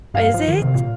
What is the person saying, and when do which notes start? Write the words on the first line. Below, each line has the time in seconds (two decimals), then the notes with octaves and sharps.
Is it?
0.14 G2 F5
0.34 F3
0.48 D#3
0.62 C3
0.75 A#2